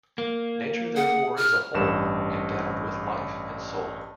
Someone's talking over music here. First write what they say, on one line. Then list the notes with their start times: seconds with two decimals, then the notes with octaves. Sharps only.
Nature therefore is a whole, endowed with life and soul.
0.18 A#3
0.96 G#4 F#5
1.37 F6
1.74 A1 G2 E7